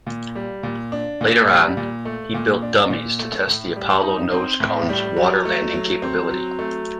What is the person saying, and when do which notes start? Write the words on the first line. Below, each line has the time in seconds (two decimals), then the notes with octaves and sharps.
Later on, he built dummies to test the Apollo nose cone's water landing capability.
0.07 A#2
0.35 G3
0.63 A#2
0.92 D4
1.21 A#2
1.48 G3
1.77 A#2
2.05 A3
2.34 A#2
2.62 D4
2.90 A#2
3.19 A3
3.48 A2
3.76 G3
4.03 D#4
4.32 C4
4.60 A2
4.89 G3
5.16 F#3
5.45 A3
5.73 F#3
6.02 C4
6.31 F#3
6.59 A3